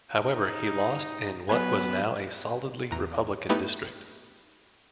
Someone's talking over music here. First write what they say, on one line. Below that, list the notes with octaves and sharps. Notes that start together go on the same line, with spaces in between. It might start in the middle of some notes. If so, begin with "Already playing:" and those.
However, he lost in what was now a solidly Republican district.
D#4
F#3 B3 B4 G#5
E2 A#5
A3 B3 D#4 E4 G4 B4